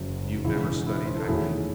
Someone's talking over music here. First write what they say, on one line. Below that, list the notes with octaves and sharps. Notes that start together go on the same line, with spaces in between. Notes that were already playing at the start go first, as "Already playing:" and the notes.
"And you never studied acting?"
Already playing: F#1 F#2 C#3 F#3
E1 E2 C#3 G#3 E4
E4
C5
A4
E2 D#3 F#3 A3 E4 G#4